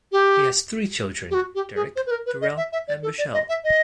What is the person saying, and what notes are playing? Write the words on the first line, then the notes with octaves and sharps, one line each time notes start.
He has three children: Derek, Durel, and Michele.
G4
G4
F#4
G4
G#4
C5
B4
A#4
B4
D#5
E5
E5
D5
A4
D5
D#5
E5
D#5